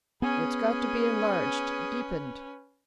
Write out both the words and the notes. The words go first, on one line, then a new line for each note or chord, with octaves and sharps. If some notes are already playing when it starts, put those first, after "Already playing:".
It's got to be enlarged, deepened.
B3 C#4 G#4 B4 G#5